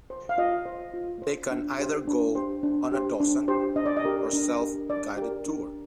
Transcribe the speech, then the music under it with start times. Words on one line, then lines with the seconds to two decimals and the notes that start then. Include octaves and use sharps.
They can either go on a docent or self guided tour.
0.10 C5
0.29 F5
0.38 F4 D#5
0.66 C5
0.94 F4
1.22 C5
1.51 D4
1.79 G4 C5
2.07 D4
2.35 G4 C5
2.63 D4
2.92 G4 C5
3.20 D4
3.48 G4 C5
3.76 D4 D#5
3.86 D5
3.97 D#5
4.05 G4 A#4
4.33 D4
4.60 G4 A#4
4.89 D4 D5
5.17 G4
5.22 A#4
5.46 D4